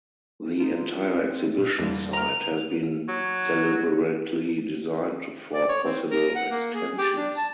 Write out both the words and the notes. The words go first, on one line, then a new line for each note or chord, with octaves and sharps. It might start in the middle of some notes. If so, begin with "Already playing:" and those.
The entire exhibition site has been deliberately designed for possible extensions.
D#4 F4
C4
B2
F2 D3 G3 A#3 D4
A#4 A#5 F7
F#3
D5
C#5
C4
A#4
F#5
A#3
G#4
G4
D4
A5